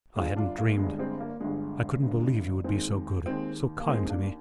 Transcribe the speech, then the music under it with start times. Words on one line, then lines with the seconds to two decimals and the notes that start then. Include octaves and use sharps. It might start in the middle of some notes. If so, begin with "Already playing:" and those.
I hadn't dreamed--I couldn't believe you would be so good, so kind to me.
0.16 G1 G2 D3 F4 G#4
0.36 D4 F4
0.58 A#3
0.78 G1 G2 D3 G#3
0.98 G#3 C4
1.20 A#3
1.40 G1 G2 D3 G#3
2.02 G1 G2 D3
2.64 D#2 D#3 G#3 C4
3.26 D#2 D#3 G#3 C4
3.80 A#3
3.88 D#2 D#3 G#3 C4
4.05 D#4
4.09 A#3 D4